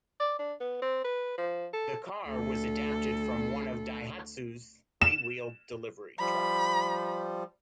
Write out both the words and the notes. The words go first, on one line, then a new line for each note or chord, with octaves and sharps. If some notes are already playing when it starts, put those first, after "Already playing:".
The car was adapted from one of Daihatsu's three-wheeled delivery trucks.
D5
D4
B3
C4
B4
F3
A4
D2 A4
E7
F3 G3 B5